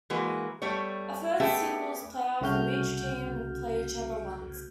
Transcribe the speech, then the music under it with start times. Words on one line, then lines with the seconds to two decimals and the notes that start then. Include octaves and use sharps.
A third singles player from each team would play each other once.
0.10 E3 G#3 A#3 F#4 B4
0.62 G3 A3 B3 C#5
1.40 A3 B3 C#4 G4 G#4 E5
2.41 C2 C#3 A3 F#4 F6 G6